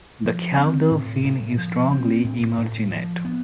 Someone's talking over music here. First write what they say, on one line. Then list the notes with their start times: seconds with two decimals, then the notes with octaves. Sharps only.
The caudal fin is strongly emarginate.
0.25 F3
0.58 C4
0.91 A2
1.24 A2
1.58 F3
1.91 C4
2.24 A2
2.58 A2
2.91 F3
3.25 B3